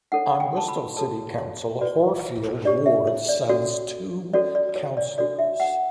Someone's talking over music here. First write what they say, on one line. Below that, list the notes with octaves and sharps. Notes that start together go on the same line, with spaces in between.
On Bristol City Council, Horfield ward sends two councillors.
D4 A4 C#5 F#5
G5
A5
B5
F#4 A4 C#5 A5
C#5
F#4 B4 D5
D4 G4 C#5 D5
E5
C#5
D5
C#4 F#4 A4 C#5 D5
C#4 F#4 A4 C#5 D5
D5
C#5
D5
D4 F#4 A4 C#5 D5
E5
F#5